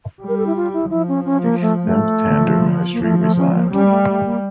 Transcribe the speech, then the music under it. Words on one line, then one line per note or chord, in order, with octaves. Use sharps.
The Themptander ministry resigned.
G3
A#4
A4
E4
F4
E4
F3 E4
C#4
C#4
A#3
A3
A3
F3
A#3
F3 A3
A3
C#4
A#3
G3 C#4
A#3
A3
A#3
A3
A#3